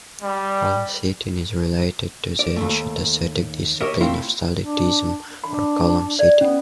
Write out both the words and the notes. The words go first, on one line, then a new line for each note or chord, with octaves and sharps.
Pole sitting is related to the ancient ascetic discipline of stylitism, or column-sitting.
G3
D5
D#2 A3
G4 A#4 C#5 D#5 E5
A3 C4 E4 F4
D4
D4 B5
D5
B3 C#4